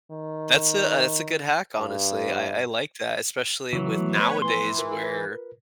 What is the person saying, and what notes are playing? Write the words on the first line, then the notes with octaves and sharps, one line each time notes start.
That's a uh, that's a good hack, honestly. I I like that, especially with nowadays where
D#3
G2
C#3 E3 F#3
F3 A3 B3
B4 C#5
E3 C6
F4 A#4 B4